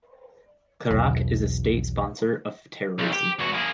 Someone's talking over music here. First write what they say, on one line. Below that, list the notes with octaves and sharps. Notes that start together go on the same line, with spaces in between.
Qurac is a state sponsor of terrorism.
B1 E2
B1
G4
E2 F#4
A#3 G#4